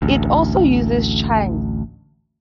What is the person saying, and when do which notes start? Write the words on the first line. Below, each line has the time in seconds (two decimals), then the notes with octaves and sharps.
It also uses chimes.
0.02 A1 D2